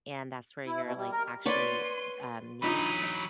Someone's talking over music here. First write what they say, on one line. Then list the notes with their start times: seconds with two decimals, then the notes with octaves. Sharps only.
and that's where you're, like, actually, uh, meat,
0.67 E4
0.82 B2
0.96 G3
1.12 A#4
1.46 B4 C#5 D5 C6 D#7
2.62 E3 F#3 D4 D#4 F4 B5